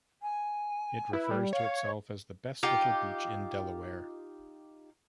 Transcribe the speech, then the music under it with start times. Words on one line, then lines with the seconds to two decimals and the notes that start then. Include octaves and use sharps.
It refers to itself as The Best Little Beach in Delaware.
0.22 G#5
1.13 E4 B4
1.31 G3
1.53 C#5 F5
2.63 D#4 F4 G4 G5